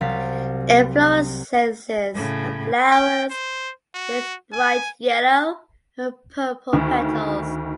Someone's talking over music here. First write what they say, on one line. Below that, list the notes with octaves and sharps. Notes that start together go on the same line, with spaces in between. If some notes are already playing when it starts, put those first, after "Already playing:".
Inflorescences have flowers with bright yellow and purple petals.
C2 F#3 F5 A6 B6
A2 C#3
G5
C5
F#4
G#5
D2 D#3